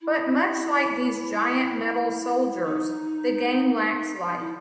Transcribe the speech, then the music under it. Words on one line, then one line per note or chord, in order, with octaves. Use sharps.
But much like these giant metal 'soldiers,' the game lacks life.
E4
D#4
E4